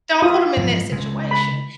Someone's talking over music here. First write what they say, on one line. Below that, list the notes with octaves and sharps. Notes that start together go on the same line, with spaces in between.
don't put them in that situation,
E4 F4 D#6
G#2 F3 F#3
C#3 G#3
B5